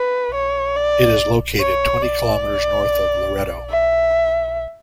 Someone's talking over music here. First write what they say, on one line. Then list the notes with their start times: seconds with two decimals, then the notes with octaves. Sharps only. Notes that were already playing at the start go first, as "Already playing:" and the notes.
It is located twenty kilometers north of Loreto.
Already playing: B4
0.35 C#5
0.76 D5
1.60 C#5
2.02 D5
3.70 E5